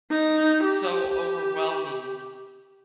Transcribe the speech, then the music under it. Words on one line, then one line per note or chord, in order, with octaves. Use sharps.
so overwhelming
D#4
G4